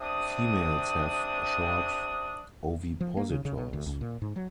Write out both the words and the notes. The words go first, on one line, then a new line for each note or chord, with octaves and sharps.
Females have short ovipositors.
C3 D4 D#6
F3
A#3
C#3
C#3
B2
D2
C#2
A#2
G#2
F#3